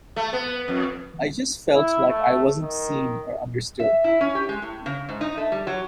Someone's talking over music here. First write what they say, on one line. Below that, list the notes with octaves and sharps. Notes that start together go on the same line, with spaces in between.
I just felt like I wasn't seen or understood.
A3
B3
F2
E4
A3
D#3
E5
E4
C#4
G4
G#3
A2
C#3
G#2
D#4
A3
G3
F#3